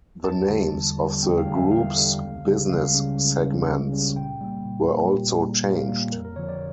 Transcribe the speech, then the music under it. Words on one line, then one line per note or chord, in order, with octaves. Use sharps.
The names of the Group's business segments were also changed.
E2 A5
D3 G3
E2
D3 G3
E2 G5
F5
D3 G3
E5
E2 F5
D3 G3
C#2
C#3 G3 C#4
C#2 F5
C#3 G3 C#4
C#2
C#3 G3 C#4
C#2
C#3 G3 C#4
A#2 G5
G3 A#3
A#2
G3 A#3
A#2
G3 A#3
A#2 F5
G3 A#3
F2 A#4
A#4
D3 F3 C#5
D5